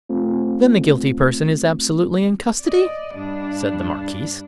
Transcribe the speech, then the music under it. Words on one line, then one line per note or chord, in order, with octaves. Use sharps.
"Then the guilty person is absolutely in custody?" said the marquise.
A3 C4 F4
D5 D#5
G2 D4